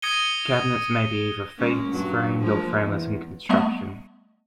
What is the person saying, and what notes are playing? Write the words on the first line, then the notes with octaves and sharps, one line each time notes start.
Cabinets may be either face-frame or frameless in construction.
D#6 G#6 A#6 C#7 D#7 G7
G#3 A#3 C#4
G2 F#3
F3 G#3 A#3
E2
G3 A3 B3 D#5